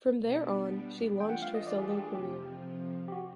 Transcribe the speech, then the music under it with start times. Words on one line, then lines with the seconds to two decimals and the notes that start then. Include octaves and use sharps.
From there on, she launched her solo career.
0.20 B2 G3 B3 D4
1.18 E3 A3 D4 F4 G5
1.30 F#5
1.42 F5
1.54 D#5
1.67 D5
1.78 G#4
1.91 G4
2.03 G#4
2.15 F2 C3 F3 G4
3.08 G4
3.12 F#4